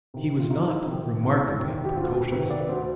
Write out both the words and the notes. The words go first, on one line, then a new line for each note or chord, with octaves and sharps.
He was not remarkably precocious.
C3 D#3
F4
C2 D#4
C3 D#3
C2
C3 D#3
G4
D2 F4
G4
C3 D#3 B4
D5
B4
D2 C5